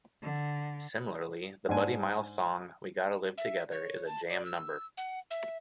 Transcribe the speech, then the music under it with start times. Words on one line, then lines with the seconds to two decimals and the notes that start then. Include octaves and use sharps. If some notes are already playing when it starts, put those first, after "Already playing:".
Similarly, the Buddy Miles song "We Gotta Live Together" is a jam number.
0.21 D3
1.69 G#2 D4 G#5
3.38 E5
3.72 C#5
4.07 A5
4.29 D5
4.45 E6
4.97 F#5
5.31 E5